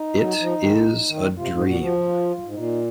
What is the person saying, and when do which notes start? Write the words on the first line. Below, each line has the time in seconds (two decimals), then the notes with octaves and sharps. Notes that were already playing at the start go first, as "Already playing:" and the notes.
It is a dream.
Already playing: D#4
0.20 F#3
0.40 F3
0.59 D#3
1.08 D#3
1.38 C3 F4
1.52 G#2
1.66 A#2 F#4
1.81 F3
1.96 F4
2.45 G#2
2.54 A#2 D#4